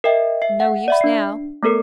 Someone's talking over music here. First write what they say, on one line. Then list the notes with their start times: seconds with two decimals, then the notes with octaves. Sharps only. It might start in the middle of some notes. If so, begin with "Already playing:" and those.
No use now.
0.04 A#4 D#5 E5 G5
0.42 E5 C7
0.60 F#5
0.88 D5 E5 B5
1.01 D4 C7
1.63 A3 B3 A4 A#4 C#7